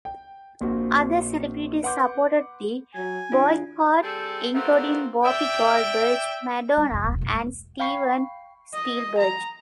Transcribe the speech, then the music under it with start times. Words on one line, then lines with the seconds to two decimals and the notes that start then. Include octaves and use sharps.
Other celebrities supported the boycott including Whoopi Goldberg, Madonna, and Steven Spielberg.
0.05 G5
0.61 A#1 A#2 C4 F#4
1.83 B4 F#5 C6 D6 G6
2.94 F#3 G#5
3.32 E2 D4 F4
4.01 G3 C4 G#4 A4
4.54 A3 B3 C4 F4 G4 A#4
5.24 D5 E5 G5
6.77 G3
6.91 F2 C3
7.04 E1 C2
7.18 F#2 B2
7.33 G#3
7.80 F5 G5 B5 C#6 C7
8.73 D#5
9.18 A#5